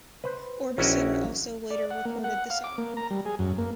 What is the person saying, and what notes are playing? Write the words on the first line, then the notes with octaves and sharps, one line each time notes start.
Orbison also later recorded the song.
B4 C5
A#1 C#4 E4 F#4 D#5 G5
D5
F#5
A#3
F#5
F5
D6
A#3
A#5
G3
G#4
F#2
A#3